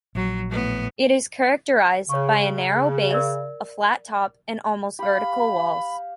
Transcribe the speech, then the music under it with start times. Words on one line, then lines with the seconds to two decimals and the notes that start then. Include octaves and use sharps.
It is characterized by a narrow base, a flat top and almost vertical walls.
0.15 A#1 F#3
0.50 A2 B3
2.09 C#3 C#5 C#6
3.11 A#4 D5 E5
4.99 G4 F5 B5